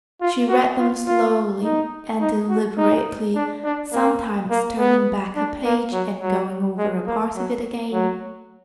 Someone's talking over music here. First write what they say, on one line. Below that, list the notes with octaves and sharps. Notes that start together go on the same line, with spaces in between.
She read them slowly and deliberately, sometimes turning back a page and going over a part of it again.
F4
F#4
F4
F4
D#4
D#4
F#4
D#4
D4
D4
A#3
A#3
B3
D4
A#3
F#3
F#3
G#3
A#3
F#3
F#3